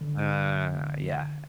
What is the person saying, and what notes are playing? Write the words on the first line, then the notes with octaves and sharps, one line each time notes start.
Uh, yeah.
D3